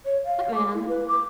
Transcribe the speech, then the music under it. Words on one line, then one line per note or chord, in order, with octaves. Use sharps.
"What man?"
C#5
F5
D6
E4
B4
D6